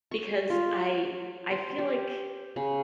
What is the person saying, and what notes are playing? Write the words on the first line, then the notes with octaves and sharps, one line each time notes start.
Because I I feel like
C#6
F4
C5
G4
C#3